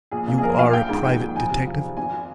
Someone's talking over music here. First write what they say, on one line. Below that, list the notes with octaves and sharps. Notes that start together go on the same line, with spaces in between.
"You are a private detective?"
A#1 G#4
A#2
G#4
F3 A#4
A#1 F5
A#1 G5
G#2
D#3 G5
A#1
F2 G#5
C3
F3
F2
G#1 G#5